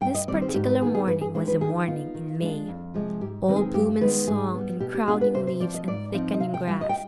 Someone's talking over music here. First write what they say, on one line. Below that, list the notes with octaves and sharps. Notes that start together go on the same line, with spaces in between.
This particular morning was a morning in May--all bloom and song, and crowding leaves and thickening grass.
G2 G5
D#5
D#3 G3 C4 D5
C5
G#4
G#2 G4
B4
D#3 B3 G#4
G#4
G2 B4
G#4
D#3 G#3 D4 F4 C5
B4
D#3 G#4
B3 D#4 F4
D#3
G#3 D4 F4
F2
C3 F3 G#3
G#2 G4
D#3 G#3 C4 B4
G#4
G2 G4
D#3 G#3 B3 B4
G#2 G#4
G3 B3
B2 G4
G4
B3 D4 F4 G#4
B4
C3 C5
C5
F3 C4 D5
D#5
G#2 D5
F3 C4 D#4
D#5
C3 F5
G5
G3 D4 F4 G5
D#5
G5